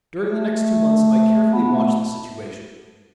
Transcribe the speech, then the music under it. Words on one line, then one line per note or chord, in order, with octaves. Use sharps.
During the next two months I carefully watched the situation.
A3
B3
A3